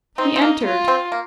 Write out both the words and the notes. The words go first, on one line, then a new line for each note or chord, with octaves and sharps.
He entered.
C4 D#4
C4
A#3
F4
C4
A#3